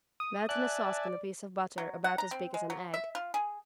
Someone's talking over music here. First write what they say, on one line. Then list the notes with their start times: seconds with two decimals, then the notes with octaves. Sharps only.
Melt in a saucepan a piece of butter about as big as an egg.
0.20 D#6
0.49 D5 E5 G#5 A5 F#6
1.78 F#3
2.04 F#5
2.18 A#5
2.31 C4
2.54 G#3
2.70 F#3
2.94 E5
3.15 F4
3.34 G#4